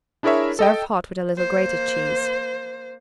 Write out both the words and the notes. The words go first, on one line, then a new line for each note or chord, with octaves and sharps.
Serve hot with a little grated cheese.
D4 E4 G#4 A#4 C#5 E5
A4 D#5 G5
A#3 C5